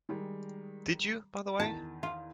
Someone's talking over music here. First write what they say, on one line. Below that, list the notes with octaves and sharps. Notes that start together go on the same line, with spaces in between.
Did you, by the way?
D#3 G3 G#3
E2 D#3 A5
F4